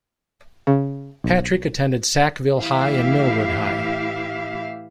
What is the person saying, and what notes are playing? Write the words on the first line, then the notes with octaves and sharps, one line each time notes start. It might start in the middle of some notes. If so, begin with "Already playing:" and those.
Patrick attended Sackville High and Millwood High.
C#3
B1
A2 E3 E4 G4 E5 F5